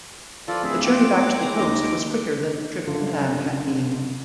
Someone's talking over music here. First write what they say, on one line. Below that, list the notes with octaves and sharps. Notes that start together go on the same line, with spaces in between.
The journey back to the coast was quicker than the trip inland had been.
F3 F4 A4 B4 D5
D1 E4 G#4 E5
C4 D6
E3 G#3 A#5
D#2 G4 D#5 A#5
F#1 D3 F4